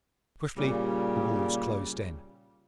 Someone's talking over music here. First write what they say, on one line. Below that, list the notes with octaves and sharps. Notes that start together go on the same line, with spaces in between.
Swiftly the wolves closed in.
A#2 C#3 G3